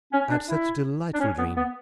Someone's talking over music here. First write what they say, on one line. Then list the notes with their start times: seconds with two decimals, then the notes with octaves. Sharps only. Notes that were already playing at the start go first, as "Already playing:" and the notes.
I had such a delightful dream.
0.12 C#4
0.30 D4
0.48 E4
1.13 D4
1.20 C#4
1.38 B3
1.56 B3